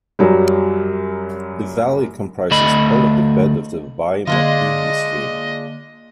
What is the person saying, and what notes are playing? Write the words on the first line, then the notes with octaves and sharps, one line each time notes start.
The Valley comprises part of the bed of the Wai-Mapihi Stream.
F#2 F#3 G3
D2 A3 D#5 B5
D3 G#3 A#3 D4 F4 D#5